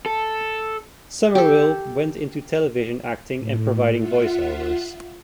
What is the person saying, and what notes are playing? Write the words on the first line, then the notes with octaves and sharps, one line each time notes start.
Somerville went into television acting and providing voice-overs.
A4
G4 A4
A2
F4 E5 F#5